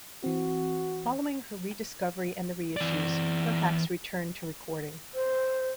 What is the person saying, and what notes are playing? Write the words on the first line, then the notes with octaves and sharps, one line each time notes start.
Following her rediscovery and the reissues, Perhacs returned to recording.
E3 C4 F#4
E3 D5
C5